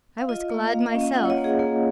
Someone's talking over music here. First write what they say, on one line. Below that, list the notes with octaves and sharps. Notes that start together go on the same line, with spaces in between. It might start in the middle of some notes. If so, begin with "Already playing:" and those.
I was glad myself.
F5
F4 D#5
A#3
A#3 F5
D#5
F5
C#4
D#5
F4 F#5
C#5
D#5
A#3
G#4
A#3